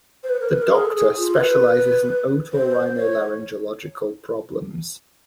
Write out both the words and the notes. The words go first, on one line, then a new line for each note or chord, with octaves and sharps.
The doctor specializes in Otorhinolaryngological problems.
C5
B4
A#4
B4
A#4
G#4
A4
G#4
F4
A#4
B4
C5
C#5